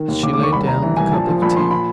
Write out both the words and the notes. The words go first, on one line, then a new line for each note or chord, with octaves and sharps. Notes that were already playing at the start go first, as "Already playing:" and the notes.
She laid down the cup of tea.
Already playing: D#3
D#2
D#2 D6
D6
D#2 C#6
C2 B5
C2 A#5
E3
C2 G#5
A#1 A5
F3
A#1 B5
A#1 C6
B5